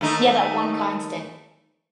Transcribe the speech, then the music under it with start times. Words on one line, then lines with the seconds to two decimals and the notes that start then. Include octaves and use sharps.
Yeah, that one constant.
0.01 D#2 A3 D#4